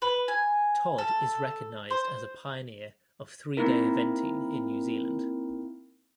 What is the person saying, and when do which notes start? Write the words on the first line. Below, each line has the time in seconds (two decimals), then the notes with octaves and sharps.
Todd is recognized as a pioneer of three-day eventing in New Zealand.
0.02 B4
0.28 G#5
0.98 A4
1.91 C5
3.57 A#3 C4 D#4 E4 A#4